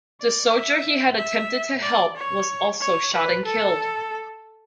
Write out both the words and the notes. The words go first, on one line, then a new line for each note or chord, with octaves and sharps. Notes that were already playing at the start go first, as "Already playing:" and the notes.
The soldier he had attempted to help was also shot and killed.
D5
E5
E5
D5
C#5
C#5
B4
A4